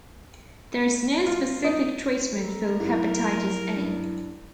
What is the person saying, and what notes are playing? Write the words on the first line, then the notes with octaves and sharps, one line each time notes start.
There is no specific treatment for hepatitis A.
F4
D#4
A4 A#4
G#2 F#3 E4
G2